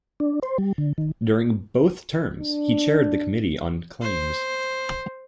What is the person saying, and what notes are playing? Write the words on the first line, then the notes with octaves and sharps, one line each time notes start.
During both terms, he chaired the Committee on Claims.
D4
C5
G3
D3
D#3
D4
C5